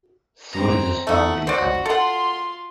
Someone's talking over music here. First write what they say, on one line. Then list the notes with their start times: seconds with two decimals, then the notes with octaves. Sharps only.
Suraj's family comes.
0.52 C4 A#5
1.07 A3 D#4 F#5
1.47 F#4 C5 D5
1.86 F4 A4 F#5 C6